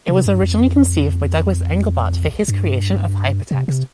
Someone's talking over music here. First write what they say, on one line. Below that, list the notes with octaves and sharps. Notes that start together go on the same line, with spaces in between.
It was originally conceived by Douglas Engelbart for his creation of hypertext.
C3
G2
F2
G2
C3
C3